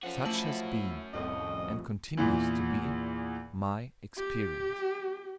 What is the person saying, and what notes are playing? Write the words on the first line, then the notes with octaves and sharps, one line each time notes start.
Such has been, and continues to be, my experience.
F3 C#4 F#4
A3 E4 A5 F#7
C2 F2 A2 D#5
E2 A#2 E3
G4